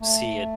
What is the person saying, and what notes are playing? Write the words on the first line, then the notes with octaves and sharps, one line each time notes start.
see it
A3